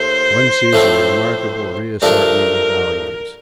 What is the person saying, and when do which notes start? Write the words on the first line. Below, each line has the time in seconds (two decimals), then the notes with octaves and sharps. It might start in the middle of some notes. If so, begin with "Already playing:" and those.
One sees a remarkable reassortment of values.
Already playing: D#2 D#3 A3 C5
0.73 A2 F3 A3 C4
2.02 G2 F3 A3 D4 A#4